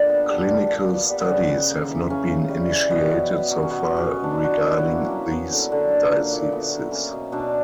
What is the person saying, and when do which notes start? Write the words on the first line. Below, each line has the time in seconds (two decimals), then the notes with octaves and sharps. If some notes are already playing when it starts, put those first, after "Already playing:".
Clinical studies have not been initiated so far regarding these diseases.
Already playing: A#2 D3 G3 D4
0.09 B3
0.29 G3
0.49 A#2
0.69 A#2
0.88 B3
1.09 G3
1.20 B3
1.29 C#3 C#4
1.49 C#3
1.70 A#3
1.90 E3
2.10 C#3 C#4
2.30 C#3
2.49 G3
2.70 E3
2.90 B2 B3
3.10 B2
3.31 B3
3.51 F#3
3.63 C#4
3.70 B2 B3
3.90 B2
3.97 C#4
4.11 B3
4.24 D4
4.31 F#3
4.44 F#4
4.51 B2 E4
4.71 B2
4.78 E4
4.91 A#3
5.05 C#4
5.11 F#3
5.31 A#3 B3
5.52 D3
5.72 D3
5.92 A#3
6.11 A#2
6.32 A#2
6.52 B3
6.72 F#3
6.92 A#3 C#4
7.13 B2
7.32 B2 D4